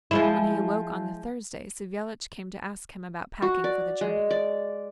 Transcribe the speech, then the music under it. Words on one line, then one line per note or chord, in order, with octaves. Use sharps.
When he awoke on the Thursday, Savelich came to ask him about packing for the journey.
F3 G#3 E4
F#4
D5
G#3
D5